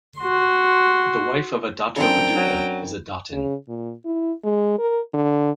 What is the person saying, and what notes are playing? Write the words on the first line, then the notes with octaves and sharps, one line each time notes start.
The wife of a Dato Paduka is a "Datin".
F#4 C6
F#2 C#3 C4 D4 A4 G5 A#5
F#3
C#3
A#2
E4
G#3
A#4
D3